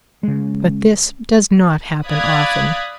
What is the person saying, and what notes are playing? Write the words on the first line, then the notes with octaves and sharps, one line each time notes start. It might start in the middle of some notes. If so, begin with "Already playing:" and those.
But this does not happen often.
C#3 G#3
D5 F5 B5 D#6 F#6 G#6